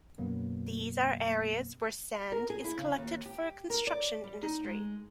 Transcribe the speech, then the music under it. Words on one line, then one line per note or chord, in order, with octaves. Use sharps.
These are areas were sand is collected for construction industry.
F#2 B2 F#3 A#3 B3
A#4
G#4
E4
C#3
D#2
G4
A#4
D5
G3
D#4
G#3